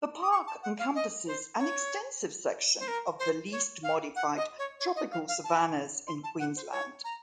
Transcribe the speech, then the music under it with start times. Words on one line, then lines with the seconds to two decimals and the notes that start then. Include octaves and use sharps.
The park encompasses an extensive section of the least modified tropical savannas in Queensland.
0.22 D#6
0.31 C#6
0.46 A5
0.62 F#5
0.78 F5
0.95 D#5
1.27 C5
1.59 C#5
2.79 C5
2.87 A#4
3.19 C5
3.51 C#5
3.83 F5
4.15 F#5
4.36 D#5
4.58 C#5
4.79 C#5
4.95 D#5
5.11 F5
5.27 F5
5.43 A5
6.07 C6
6.23 A5
6.39 F#5
6.55 C5
6.71 C#5
7.04 A#5